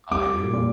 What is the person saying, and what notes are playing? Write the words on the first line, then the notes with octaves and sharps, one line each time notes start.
I do.
G3 D6
A#2